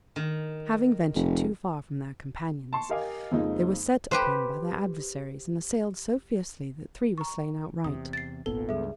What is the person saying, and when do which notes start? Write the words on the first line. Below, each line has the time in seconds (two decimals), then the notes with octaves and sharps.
Having ventured too far from their companions, they were set upon by their adversaries, and assailed so fiercely that three were slain outright.
0.16 D#3
1.15 F1
2.73 A5 C6 C#6
2.89 G4 A#4 D#5 F5 G#5 D6
3.31 F2 C#3 F3 G#3 A#3 D#4
4.11 G4 B4 C5
7.18 A#5 C#6
7.84 E2 C3 D#6
8.13 A6 C7
8.46 D#1 G#1 A#2 B3 A4 G7
8.69 C#2 G2 G#4 E5